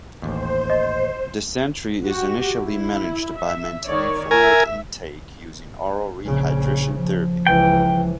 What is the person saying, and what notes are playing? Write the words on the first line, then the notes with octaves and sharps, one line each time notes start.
Dysentery is initially managed by maintaining fluid intake using oral rehydration therapy.
A1 D#2 C5
D#5
F#4 G4
E4
E5
D#3 C#5 D5
A#4 E5 G#5
A#1 C#3
F3
C#2 E3 G5